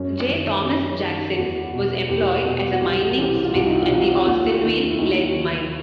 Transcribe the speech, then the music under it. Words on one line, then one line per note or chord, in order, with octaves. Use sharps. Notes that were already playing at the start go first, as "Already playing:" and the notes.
J Thomas Jackson was employed as a mining smith at the Austinville lead mine.
Already playing: F#2 C#4
D#3
F#2 C#4
D#3
E2 F#4
B2
E2 G4
B2 F#4
F#4
C2 G4
C3 E3
F4
C2 F#4
D#4
E4
F4
C3 E3 F#4
D#2 F4
D#3
E4
D#2 D#4
D#3